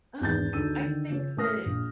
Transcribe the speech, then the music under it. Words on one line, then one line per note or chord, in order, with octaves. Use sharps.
Um, I think that
G#1 E2 G6 A6
D2 D4 D#4 E6 D#7
D3 D#3
C#3 F3 C#4
A2 C#4 A#4 D#6 F6 A#6
A#1